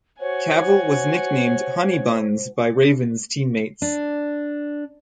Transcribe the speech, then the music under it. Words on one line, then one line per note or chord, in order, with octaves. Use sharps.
Cavil was nicknamed "Honey Buns" by Ravens teammates.
F#4 C5 C#5 G#5
D4